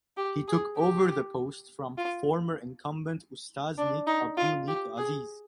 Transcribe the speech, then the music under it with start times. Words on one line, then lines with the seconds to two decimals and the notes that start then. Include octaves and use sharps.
He took over the post from former incumbent Ustaz Nik Abduh Nik Aziz.
0.17 G4
0.48 G#4
0.77 G4
1.98 F4
3.78 D4
4.07 D#4
4.37 F4
4.68 G4
4.97 G#4